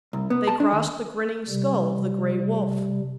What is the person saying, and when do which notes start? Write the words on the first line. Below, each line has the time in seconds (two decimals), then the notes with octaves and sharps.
They crossed the grinning skull of the gray wolf.
0.13 C2
0.30 B3
0.48 A5
0.60 D4
0.72 D#2
1.49 C3 G3